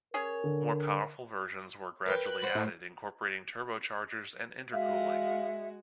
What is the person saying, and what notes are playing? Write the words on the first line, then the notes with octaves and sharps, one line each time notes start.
More powerful versions were gradually added, incorporating turbochargers and intercooling.
C#4 G#4 A#4 C#5
D3
A#4 B4 G5
F#6
C5 F#5 B5
A2
G#3 F#4 E5 F5